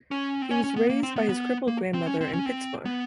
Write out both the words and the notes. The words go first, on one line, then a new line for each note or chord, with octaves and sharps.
He was raised by his crippled grandmother in Pitsmoor.
C#4
C4
C#4
C#4
B3
A#3
C4
B3
B3
A#3
C4
C#4
C4
C#4
C4
B3